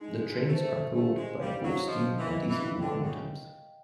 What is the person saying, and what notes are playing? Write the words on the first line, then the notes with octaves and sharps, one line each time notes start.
The trains are pulled by both steam and diesel locomotives.
G#3 D#4
A3 C5
A3 G4
G#3
G3 F5
F#3
F3 D#5
E3
D#5
E3
D3 G5
C#3